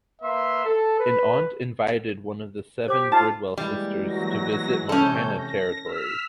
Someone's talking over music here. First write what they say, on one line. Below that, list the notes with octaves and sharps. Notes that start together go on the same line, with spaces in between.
An aunt invited one of the seven Bridwell sisters to visit Montana Territory.
A#3 B4 E5 F5 C6
A4
B4
G4 C5 D6
D#4 F4 A5
E3 G3 G#3 A#3
F#3 A#6
C3 C#4 A4 C#5 G6
A#6
E6 F6 B6